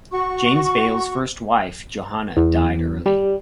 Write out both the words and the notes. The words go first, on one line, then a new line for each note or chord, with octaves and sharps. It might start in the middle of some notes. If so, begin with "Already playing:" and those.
James Baillie's first wife Johanna died early.
F#4 C#6
E2
G3